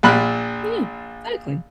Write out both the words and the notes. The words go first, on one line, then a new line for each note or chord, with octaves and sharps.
Yeah, exactly.
A#1 A#2 B5 F#6